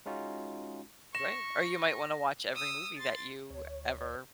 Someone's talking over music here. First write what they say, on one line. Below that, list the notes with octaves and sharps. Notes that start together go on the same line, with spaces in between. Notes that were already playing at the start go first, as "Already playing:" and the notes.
Right, or you might wanna watch every movie that you ever
G#3 C#4 D#4 F4 F#4
C#6 A#6 E7
D#6 E6
C6 A6
D2 C#5